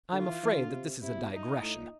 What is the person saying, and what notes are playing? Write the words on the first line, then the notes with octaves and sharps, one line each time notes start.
I am afraid that this is a digression.
D3 F4
E3
E3
D3
B2
C3
C3 E4
B2
D#4
A2
A#2